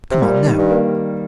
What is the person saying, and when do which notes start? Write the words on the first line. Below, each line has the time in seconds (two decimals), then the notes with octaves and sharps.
"Come on--now."
0.11 C3
0.22 A#2 G3
0.46 D#3
0.58 G2
0.70 A#3